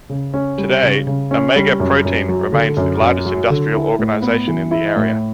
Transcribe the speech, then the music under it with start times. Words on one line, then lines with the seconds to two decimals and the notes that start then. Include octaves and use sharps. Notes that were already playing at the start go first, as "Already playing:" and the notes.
Today, Omega Protein remains the largest industrial organization in the area.
0.09 C#3
0.34 C#4
0.58 G3
0.83 C#3
1.07 C#3
1.31 C#4
1.56 G3
1.80 F#2
2.05 F#2
2.28 F#3
2.52 D3
2.77 F#2
3.01 F#2
3.25 F#3
3.50 D3
3.74 E4
3.99 A2
4.22 B3
4.48 E3
4.71 E4
4.96 A2